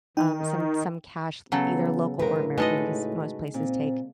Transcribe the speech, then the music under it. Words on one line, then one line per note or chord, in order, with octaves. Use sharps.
um, some some cash, l either local or American, 'cause most places take
D#3 D#4 G5
C#3 F#3 B3 A4
D#2 A2 G#3 A3 A#4 B4
G#3 A3 D#4 F#4 A4 B4 D#5
A#2 C4